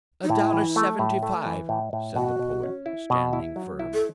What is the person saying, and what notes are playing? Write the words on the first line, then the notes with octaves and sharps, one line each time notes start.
"A dollar seventy-five," said the poet, standing firm.
D#4
A2 E4
E3
A3
A2
A3
E3
A2
A2
B2 F#4
B2
C#4
E4
B2
E4
F#3
E4
A4